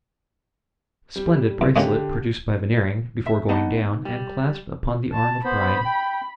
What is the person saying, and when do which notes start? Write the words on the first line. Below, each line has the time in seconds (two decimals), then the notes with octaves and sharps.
Splendid bracelet, produced by Veneering before going down, and clasped upon the arm of bride.
1.16 G3
1.61 C2
1.76 D3 G#3 A#3 C#4 G4
3.26 E5
3.49 B3 D#4 D#5 F#5 A5
4.05 G3
5.13 A5
5.45 B3 C5 B5
5.85 G5